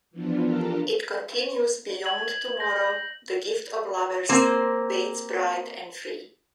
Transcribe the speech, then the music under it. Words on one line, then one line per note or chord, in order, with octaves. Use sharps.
It continues Beyond tomorrow, the gift of lovers, waits bright and free.
E3 F3 B3 D4 F4
D4 F4 G4 A4 A#4 A5
G#6 F#7
G6 A#6
A#3 C4 C5